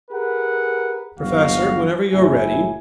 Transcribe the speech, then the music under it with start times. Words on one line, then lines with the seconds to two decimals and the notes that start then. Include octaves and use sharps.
"Professor, whenever you're ready. . . ."
0.11 G4 G#4 A#4 B4 F#5
1.19 G1 D#2 F#3 F#4 F5
2.12 F#1 A2 E4 G#5